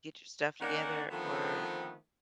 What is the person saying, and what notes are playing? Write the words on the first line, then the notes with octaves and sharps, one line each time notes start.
"Get your stuff together or
D#3 A#3 C#4 D4 F#5
D3 D#3 F3 A3 B3 C4